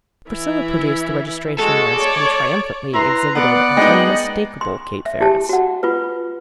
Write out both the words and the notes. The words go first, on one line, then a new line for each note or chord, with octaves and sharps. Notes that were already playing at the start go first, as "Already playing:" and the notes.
Priscilla produced the registration-list, and triumphantly exhibited an unmistakable Kate Ferris.
E3 E4
G#3 F#4 A4
C#5 D5
E4 B4 A#5 C6
B3 D5 F#5 B5
G#3 B3 D#4 D#5 G5 D#6
C6
E5
E4 G4 A5
F#4 F#5
F4 B4